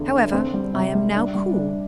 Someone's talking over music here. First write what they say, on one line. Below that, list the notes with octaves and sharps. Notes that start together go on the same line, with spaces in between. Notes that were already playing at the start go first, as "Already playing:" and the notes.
However, I am now cool.
Already playing: E2 D3
D3
C4
G3
C3
G3
D4
G3
D4